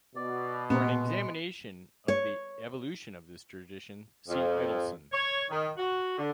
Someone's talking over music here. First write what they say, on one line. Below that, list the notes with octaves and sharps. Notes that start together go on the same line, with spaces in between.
For an examination of the evolution of this tradition, see Idelsohn.
B2 D5
A#2 G#3 B3
C#5
F2
C#5
D#3
F#4
D3